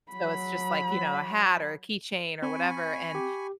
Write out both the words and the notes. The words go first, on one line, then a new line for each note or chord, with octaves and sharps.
So, it's just like, you know, a hat or a keychain or whatever, and
F#3 B5
C4 G#5 B5 C#6
G4